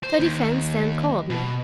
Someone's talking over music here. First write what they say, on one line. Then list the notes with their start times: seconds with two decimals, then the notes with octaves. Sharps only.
The defense then called me.
0.04 C5
0.19 D#2
1.30 B2